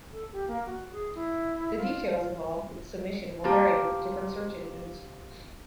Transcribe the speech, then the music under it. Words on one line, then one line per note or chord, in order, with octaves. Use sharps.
The details involved with submission will vary with the different search engines.
A4
G4
A#3
F#4
G#4
E4
F4
F4
F3 A#3 G4